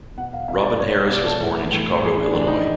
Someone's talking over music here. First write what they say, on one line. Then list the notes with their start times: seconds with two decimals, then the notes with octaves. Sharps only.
Robin Harris was born in Chicago, Illinois.
0.18 B2 F#5
0.33 F5
0.48 B2 E5
0.64 D5
0.79 B2 C#5
1.10 B2 D5
1.25 A4
1.41 A2 E3
1.72 A2 E3
2.01 A2 G#4
2.05 E3
2.18 D4
2.33 A2 E3 D4
2.48 D#4